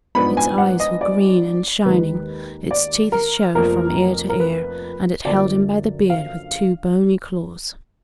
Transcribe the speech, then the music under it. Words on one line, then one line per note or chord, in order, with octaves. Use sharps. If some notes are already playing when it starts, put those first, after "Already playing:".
Its eyes were green and shining, its teeth showed from ear to ear, and it held him by the beard with two bony claws.
G#2 F3 B3 D4 B5
G#5
F#5
D#5
D5
D#2 D#3 G#3 D#4 B4
D5
A#4
F1 F2 F3 A#3 A#4
A#4
B4
F#2 D3 F3 A#3 D5
F5